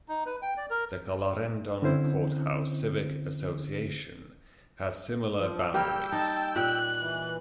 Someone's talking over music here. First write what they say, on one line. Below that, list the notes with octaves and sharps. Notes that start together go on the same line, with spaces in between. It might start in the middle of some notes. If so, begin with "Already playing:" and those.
The Clarendon-Courthouse Civic Association has similar boundaries.
D#4
B4
G5
D5
A#4
D3 C4 C#4 E4 C5
F3
G3 A#3 G4 G5 E6
D#4 A5
A#2 G4 F#6
E3